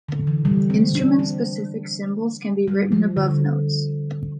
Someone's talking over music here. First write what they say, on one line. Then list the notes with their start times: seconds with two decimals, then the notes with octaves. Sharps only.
Instrument-specific symbols can be written above notes.
0.09 D3
0.27 E3
0.45 G3
0.70 C4
0.95 D4
1.19 C4
2.68 G3
2.92 F3
3.17 D3